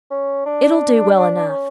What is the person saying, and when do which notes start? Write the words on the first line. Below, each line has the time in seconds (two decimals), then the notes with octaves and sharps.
'It'll do well enough.
0.11 C#4
0.46 D4
1.50 C#4